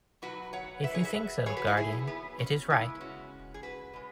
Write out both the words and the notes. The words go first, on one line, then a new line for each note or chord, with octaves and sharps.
If you think so, guardian, it is right.
B2 F#3 F#4 B4
C#5 F#5
B4 E5
G#4 C#5
B4 E5
B2 F#3 G#4 C#5
F#4 B4
E4 G#4
E4 G#4
B3
B3
C#4
C#3 G#3 B3 E4
C#4 F#4
G#4
F#4 B4
B2 G#3